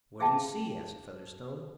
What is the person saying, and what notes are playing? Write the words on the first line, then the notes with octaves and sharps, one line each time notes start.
"What do you see?" asked Featherstone.
G#4 E5 F5 G5 A5